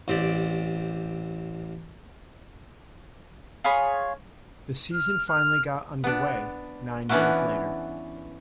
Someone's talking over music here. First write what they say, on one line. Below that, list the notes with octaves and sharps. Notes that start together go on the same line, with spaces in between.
The season finally got underway nine days later.
A1 C4 G4 D5
F4 G#4 C#5 B5
F6
F6
B3 D4
E3 B3 C#4 D4 E4 F#4